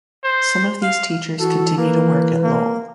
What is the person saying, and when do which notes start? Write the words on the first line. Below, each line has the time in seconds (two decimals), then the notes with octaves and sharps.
Some of these teachers continue to work at Lowell.
0.24 C5
0.82 F5
1.40 E3 F#4 A4
1.78 A#3 B4
2.43 A#3